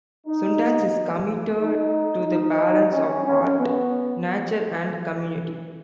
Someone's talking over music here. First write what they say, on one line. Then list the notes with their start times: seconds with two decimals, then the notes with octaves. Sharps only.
Sundance is committed to the balance of art, nature and community.
0.26 D#4
1.60 D#4
2.26 D#4
2.92 C#4
3.25 C#4
3.58 B3